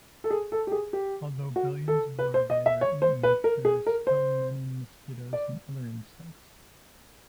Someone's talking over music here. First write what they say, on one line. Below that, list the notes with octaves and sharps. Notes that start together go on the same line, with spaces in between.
Although billions of larvae are eaten, there are still many mosquitoes and other insects.
A4
G#4
A4
G4
G#4
G4
F#4
A4
B4
C5
D#5
E5
C#5
C5
B4
A#4
G#4
A#4
C5
D5